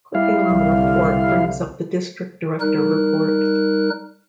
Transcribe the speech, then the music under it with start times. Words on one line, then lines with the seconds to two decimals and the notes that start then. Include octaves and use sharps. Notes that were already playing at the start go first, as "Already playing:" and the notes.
Clicking on the Report brings up the District Director report.
0.15 G3 E4 F5
0.52 C2 D3
2.61 G3 D#4 A#4 F#6